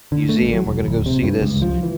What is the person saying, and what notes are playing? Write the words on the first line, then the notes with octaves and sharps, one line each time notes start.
museum, we're gonna go see this,
D3
A3
A1
F#3
E1
D1
C3
G2
C#2
F3
E3